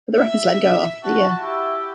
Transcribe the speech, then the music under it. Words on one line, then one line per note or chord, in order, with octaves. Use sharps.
But the Rapids let him go after the year.
E5
F#4 A5
E4 G4